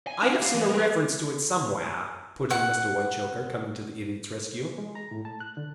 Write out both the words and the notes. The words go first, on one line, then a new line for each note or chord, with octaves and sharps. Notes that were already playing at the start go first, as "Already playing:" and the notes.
"I have seen a reference to it somewhere," put in Mr. Whitechoker, coming to the Idiot's rescue.
G#5
D4 F#5
G4 F5
E3
A#4 B4
F#5
G#3
A#5
A2
A5
F#6
D3